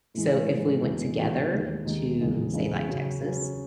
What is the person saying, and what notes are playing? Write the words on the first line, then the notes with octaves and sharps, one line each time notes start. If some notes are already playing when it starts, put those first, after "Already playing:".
So, if we went together to say like Texas,
A2 E3 G#3
A2 E3 G#3
E2 B2 G#3 D#4
E2 B2 G#3 D#4
D#2 D#3 G#3 D#4
D#2 D#3 G#3 D#4
E2 C#3 G#3 D#4
E2 C#3 G#3 D#4
C#3 F#3 C#4
C#3 F#3 C#4